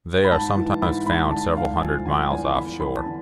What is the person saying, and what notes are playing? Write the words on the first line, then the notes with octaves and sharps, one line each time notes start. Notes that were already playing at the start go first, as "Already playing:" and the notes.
They are sometimes found several hundred miles off-shore.
B5
G#2 A5
E3
G#2 B5
G#2 B5
D3 A5
D3 F5
F3 G#5
D3 G#5
E2 G#5
D3 B5
E2 B5
A5
D3